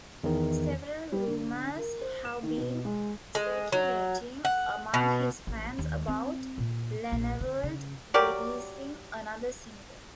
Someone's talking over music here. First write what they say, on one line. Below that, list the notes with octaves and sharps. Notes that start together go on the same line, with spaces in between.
Several rumours have been circulating among his fans about Lennevald releasing another single.
E2 D#3
G3
D3
A#4
C5
E7
D#3
B2
G#3
G#3
F#3
F#5
B2
A1
D#2
C4
A#2
A#1
D3
C#3
F#3 G4 A#4 D5